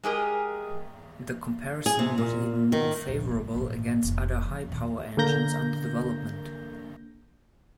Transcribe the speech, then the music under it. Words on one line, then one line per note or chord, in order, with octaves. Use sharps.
The comparison was even more favourable against other high-power engines under development.
G#3 G4 G#4 A#4
G#4
C3
A#2
D#3
A#1 D#2
G#2 C3
G#1 A#2
F1 E4
F3
D#2 A#2
D3 A#3 A#4 G6 A#6